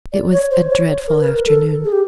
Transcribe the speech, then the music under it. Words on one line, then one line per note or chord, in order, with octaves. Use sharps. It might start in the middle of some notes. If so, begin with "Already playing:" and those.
It was a dreadful afternoon.
D5
C#5
C5
C#5
A#4
B4
A#4
A4
G#4
G4